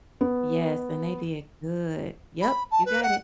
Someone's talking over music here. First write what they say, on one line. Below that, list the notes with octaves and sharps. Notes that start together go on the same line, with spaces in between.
Yes, and they did good. Yep, you got it.
B3
B5
A5
B4
F#5